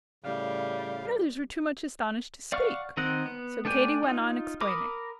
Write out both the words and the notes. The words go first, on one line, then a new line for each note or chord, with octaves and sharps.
The others were too much astonished to speak, so Katy went on explaining.
A2 C#3 G3 F5
D5 F5 F#5 C#6 F6
D#3 C4 A#4 D#5 F#5
B3
A3 D4 D5 G5 G#5
D#4 F4
A#4 B5 D6 D#6